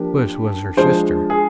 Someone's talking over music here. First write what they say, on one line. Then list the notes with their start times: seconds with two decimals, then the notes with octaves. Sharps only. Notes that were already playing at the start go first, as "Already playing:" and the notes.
Puss was her sister.
Already playing: F3 A#3 D4 G4
0.77 F3 G#3 D4 F4 C5
1.30 G#4